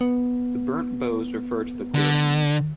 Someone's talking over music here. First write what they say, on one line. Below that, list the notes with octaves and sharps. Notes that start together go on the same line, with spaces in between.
The burnt boughs refer to the clearing.
B3
D3